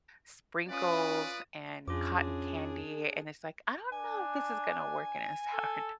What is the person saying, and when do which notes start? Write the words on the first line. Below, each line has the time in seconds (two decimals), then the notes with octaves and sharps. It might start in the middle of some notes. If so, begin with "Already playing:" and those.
sprinkles, and cotton candy, and it's like, "I don't know if this is gonna work in a sourdough.“
0.69 C#4 F4 B4 D5 D#6
1.88 F2 C#4 D4 F4 G#4 D6
3.92 D4 G#5
5.53 A4